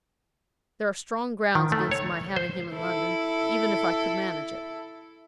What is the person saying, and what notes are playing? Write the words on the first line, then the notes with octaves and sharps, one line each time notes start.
There are strong grounds against my having him in London, even if I could manage it.
D#3
A3
C#5
C5
E4 A4